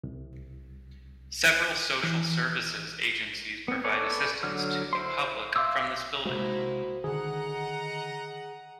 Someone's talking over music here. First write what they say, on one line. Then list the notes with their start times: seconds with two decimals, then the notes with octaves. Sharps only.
Several social services agencies provide assistance to the public from this building.
0.04 C2
2.03 E3
3.68 B3 C4
3.84 A4 B4 C#5 D5 G#5
4.43 D3 F#3 F6
4.93 E4 C5 C6
5.56 E5 F5 C6 D6 E6
6.25 C3 G#3 A#3 D#4 E4 F#4 C5
7.04 D3 D#3 G#4 D#5 F#5 A#5